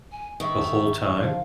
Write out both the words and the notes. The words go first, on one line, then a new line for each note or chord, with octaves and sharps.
The whole time?
G#5
D#3 D#5 E5 C#6
F3 F5